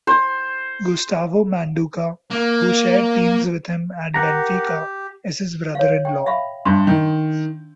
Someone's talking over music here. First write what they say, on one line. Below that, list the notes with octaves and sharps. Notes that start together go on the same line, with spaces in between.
Gustavo Manduca, who shared teams with him at Benfica, is his brother-in-law.
C5
A#3
G4 A#4 F#5 A#5
C#5 F5
G5
E5 F5 B5
G2 D4 C6
D#3